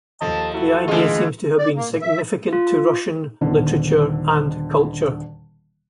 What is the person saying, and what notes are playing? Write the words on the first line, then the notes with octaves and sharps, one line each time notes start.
The idea seems to have been significant to Russian literature and culture.
D#2 F3 A4 D#5 A5
E4 F#4 A4
D3 E3 G#3 A3 F4
D5
A#3
A#2
E5
F4
D#1 B2 D3 D#3